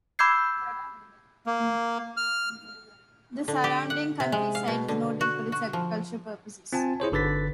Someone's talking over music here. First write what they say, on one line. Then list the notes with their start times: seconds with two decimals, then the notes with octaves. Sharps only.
The surrounding countryside is noted for its agricultural purposes.
0.19 B5 D6 E6 G6 G#6 C7
1.46 A#3
2.17 F6
3.48 D3
3.64 G4
3.90 F#5
4.20 C3
4.32 G#3
4.55 F5
4.68 B2
4.88 D3
5.21 F#4
5.52 F#4
5.73 F3
6.73 C4 F4 G#5 A5
7.00 E4 G#4 C5 C#5
7.12 G1 D3 B4 A6 B6